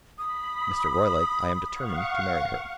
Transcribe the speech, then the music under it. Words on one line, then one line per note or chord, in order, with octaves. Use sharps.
Mr. Roylake, I am determined to marry her.
B5 D#6
F5 F#5 C#6